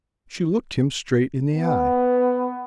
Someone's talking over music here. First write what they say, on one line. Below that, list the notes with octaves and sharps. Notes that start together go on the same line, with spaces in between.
She looked him straight in the eye.
B3